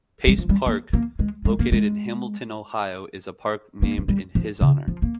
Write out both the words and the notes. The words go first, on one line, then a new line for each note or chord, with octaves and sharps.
Pace Park, located in Hamilton, Ohio, is a park named in his honor.
G3
F3
G3
A#3
A#3
G#3
G#3
A#3
G#3
A#3
F3
G3
F3
C#3
F3
A#3